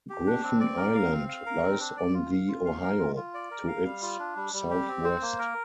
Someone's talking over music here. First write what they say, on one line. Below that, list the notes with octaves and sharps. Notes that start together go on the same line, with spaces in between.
Griffen Island lies on the Ohio to its southwest.
G4
D4
C4
D5
A#4
F5
C4
F5
A#4
C4
D4
D5
F4
F5
F4
F5
A#4
F4
F4
D5
A#4
F5
G3
F4
D4
G3
G3
G4
C4
C5
A#3
A#4